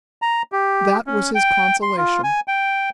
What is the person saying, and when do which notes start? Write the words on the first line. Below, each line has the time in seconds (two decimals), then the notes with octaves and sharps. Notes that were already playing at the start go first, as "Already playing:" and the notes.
That was his consolation.
0.22 A#5
0.52 G4
1.07 C#4
1.35 G5
1.82 C6
1.97 F4
2.24 G#5
2.48 G5